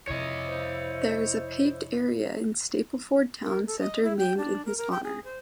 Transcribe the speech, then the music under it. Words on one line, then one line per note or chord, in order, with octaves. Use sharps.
There is a paved area in Stapleford town centre named in his honour.
F2 C3 E4 C#5 D#5
C5
A#4
A4
D#5
E4
G5
D4
A#4
A#4
G5
G#4
C5